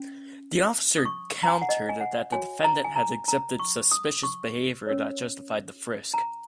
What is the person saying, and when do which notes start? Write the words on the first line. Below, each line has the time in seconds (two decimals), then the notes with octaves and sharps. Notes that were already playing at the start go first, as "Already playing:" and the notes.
The officer countered that the defendant had exhibited suspicous behavior that justified the frisk.
Already playing: C#4
0.98 D#6
1.05 C#6
1.43 A#5
1.48 G#5
1.61 F#5
1.69 D#5
1.89 G#5
2.01 F#5
2.32 F#4 C#5 G#5
2.64 A#5
2.84 G#5
2.96 A#5
3.28 A#5
3.59 C#6
3.91 D#6
4.23 C#6
4.87 C#4 A#4 C#5
6.14 A#5